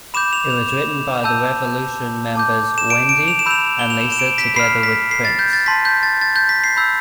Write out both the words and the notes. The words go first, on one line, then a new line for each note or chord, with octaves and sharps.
It was written by The Revolution members Wendy and Lisa together with Prince.
B5 D6 G6 E7
F7
F7
E7
A5 E6 G6
A5 D6 G6
E7
D7
D7
F7
E7
B5 E6 G6 F7
G7
F7
E7
E7
D7
B6
B5 F6 C7
B6
C7
A6
G6
A6
A5 C6 G6 B6
G6
A6
A6
G6
B6
C7
B5 E6 G6